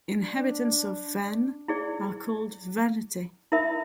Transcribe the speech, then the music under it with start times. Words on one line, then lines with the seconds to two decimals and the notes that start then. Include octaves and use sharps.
Inhabitants of Vannes are called "Vannetais".
0.19 D4
1.68 E4 G#4 D5
3.52 E4 A#4 E5 B5